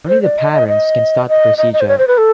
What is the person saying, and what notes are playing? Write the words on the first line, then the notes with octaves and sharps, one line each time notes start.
Only the parents can start the procedure.
C5
D5
D#5
D#5
D#5
D#5
D#5
D#5
C5
C#5
C5
B4
A4